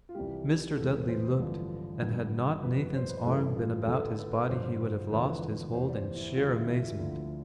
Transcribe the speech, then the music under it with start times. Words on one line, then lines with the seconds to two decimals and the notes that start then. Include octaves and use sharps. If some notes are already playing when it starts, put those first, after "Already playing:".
Mr. Dudley looked, and had not Nathan's arm been about his body he would have lost his hold, in sheer amazement.
0.09 F4
0.15 C2 C3 E3 G3 G4
0.77 E1 E2 C3 A4
0.93 B4
1.08 C5
1.23 B4
1.39 A1 G2 D3 F3
2.01 G1 G2 F3
2.63 G1 F2 C3 B4
2.95 C5
3.09 B4
3.25 A1 G2 E3 A4
3.56 F4
3.87 G1 G2 D3 A4
4.10 A4
4.18 B4
4.42 B4
4.49 G1 G2 F3 C5
5.11 E1 E2 D3 F3 B4
5.73 F1 E2 C3 G3 C5
5.88 D5
5.95 C5
6.15 E4
6.35 E2 D3 G3 F4
6.56 E4
6.77 E4
6.97 D2 D3 F3